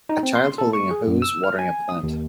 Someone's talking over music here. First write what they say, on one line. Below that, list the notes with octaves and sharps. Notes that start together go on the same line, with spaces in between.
A child holding a hose watering a plant.
D#4
C4
C6
A4
C#6
G#4
F#2
E6
F6
G#5
D#6
D#2